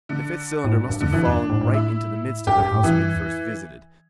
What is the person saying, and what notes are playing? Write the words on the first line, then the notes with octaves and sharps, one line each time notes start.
The fifth cylinder must have fallen right into the midst of the house we had first visited.
D3
A2
G2
G2
E2 D3
G2 E3
E2 D4
G2
A2
A2
E4
G2 G4
G2
A2
G2 E3
E2